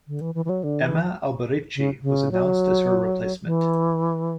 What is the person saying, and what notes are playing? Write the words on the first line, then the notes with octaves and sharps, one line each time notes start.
Emma Alberici was announced as her replacement.
D3
E3
E3
E3
F#3
D3
E3
C#3
C#3
F#3
E3